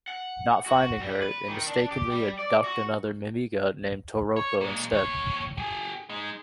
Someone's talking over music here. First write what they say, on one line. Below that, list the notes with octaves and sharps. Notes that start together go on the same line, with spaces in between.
Not finding her, they mistakenly abduct another Mimiga named Toroko instead.
F#5
F#4
G3
B4
D#3
D4
G4
G3
D5
F#4
C#5
A#2 G#3
D#2 C#5
G4 G#4
G#3 D#4